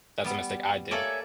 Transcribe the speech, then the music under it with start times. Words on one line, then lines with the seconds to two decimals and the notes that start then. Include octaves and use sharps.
That's a mistake I did.
0.24 G3 B3
0.91 A#3 A4 C#5 D5 E5 G#5